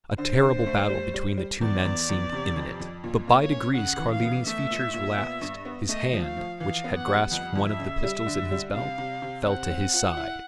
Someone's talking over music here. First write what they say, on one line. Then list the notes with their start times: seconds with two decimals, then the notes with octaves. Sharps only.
A terrible battle between the two men seemed imminent; but by degrees Carlini's features relaxed, his hand, which had grasped one of the pistols in his belt, fell to his side.
0.18 D3 C5
0.42 D3
0.66 A3
0.90 G3
1.14 G3
1.37 G3
1.61 E2 D5
1.85 E2
2.09 E2
2.33 C3
2.57 F2
2.80 F2
3.04 A#2
3.28 A#3
3.40 C#5
3.51 C#4
3.75 C#3 F#5
3.99 E3
4.11 F5
4.23 B3
4.46 A3 E5
4.71 A#2
4.94 A#2
5.18 B3
5.41 G2
5.65 B3
5.89 A3 D#5
6.13 F3
6.24 F5
6.37 F3
6.60 E3 F5
6.84 B3
6.97 F#5
7.08 G3
7.31 F2 F#5
7.55 F2
7.67 E5
7.79 C#3
8.03 G3
8.27 D3
8.51 G3
8.74 C3 F5
8.98 C3
9.22 C3
9.45 C4 F#5
9.70 C4
9.94 F4
10.17 E4